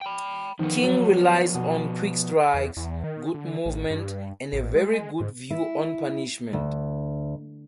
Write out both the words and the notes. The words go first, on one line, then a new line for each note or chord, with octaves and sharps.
King relies on quick strikes, good movement, and a very good view on punishment.
G5 B5
D#3 F3 B3
F#3
B2
E2
E2
D#3
D3
A1
G2
A1
G#3
G#2
E4
D2